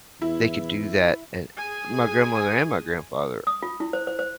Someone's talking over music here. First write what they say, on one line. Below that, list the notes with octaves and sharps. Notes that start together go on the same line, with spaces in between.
they could do that, and my grandmother and my grandfather,
E2 E4
G#4 G#5
D#6
F4
E4
C5
C5
C5